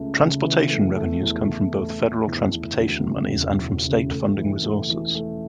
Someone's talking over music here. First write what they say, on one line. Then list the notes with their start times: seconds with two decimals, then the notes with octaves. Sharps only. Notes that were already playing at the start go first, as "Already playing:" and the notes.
Transportation revenues come from both federal transportation monies and from state funding resources.
Already playing: C#2 C#3 A3
0.18 C#3
0.43 E3
0.70 A3
0.96 A3
1.23 E2
1.49 E2
1.74 A3
2.01 A3
2.27 E2
2.53 E3
2.79 D2
3.06 C#3
3.32 E1
3.59 E1
3.84 C#3
4.10 A3
4.37 E3
4.63 A3
4.89 E3
5.15 A3